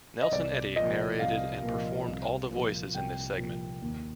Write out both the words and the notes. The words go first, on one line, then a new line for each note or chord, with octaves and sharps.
Nelson Eddy narrated and performed all the voices in this segment.
D#5
C2 D5
A#2 F3 D#5
C2 F5
A#2
F3
C2
A#2 F3
C2 G5
A#2 F3
D#2